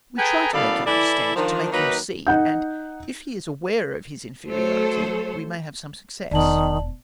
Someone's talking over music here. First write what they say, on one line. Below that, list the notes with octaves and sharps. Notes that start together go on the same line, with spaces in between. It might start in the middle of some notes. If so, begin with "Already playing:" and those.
We try to make him understand, to make him see, and if he is aware of his inferiority we may have some success.
G#4 A4 B4 G5 G#5 A#5
F#2 A2 B3 A4 D5 F5
E3 E4 A4 D5
D#3 F3 D4
D#3 F#3 A#3 D#4 B4
D#4 F#5 G6
F#3 A3 A4 C5 C#5
E1 D#3 B3 D5 A5 F#7